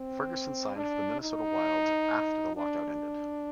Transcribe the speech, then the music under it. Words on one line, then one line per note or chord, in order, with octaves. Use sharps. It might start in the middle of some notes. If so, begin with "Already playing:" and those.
Ferguson signed for the Minnesota Wild after the lockout ended.
Already playing: C4
D4
D#4
D4